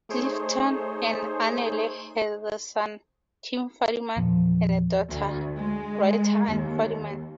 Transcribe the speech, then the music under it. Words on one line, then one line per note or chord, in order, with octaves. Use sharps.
Clifton and Annalee had a son, Kim Fadiman, and a daughter, writer Anne Fadiman.
A3 D#4 G#4 C5 C#5
E2 A#2 F3
D2
G#3
D#2